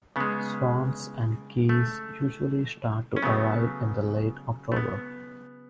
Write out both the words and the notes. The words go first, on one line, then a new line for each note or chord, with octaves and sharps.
Swans and geese usually start to arrive in late October.
C#3 G#3 B3
A3
C#4
C#3 F#3 A3 B3
A3
B3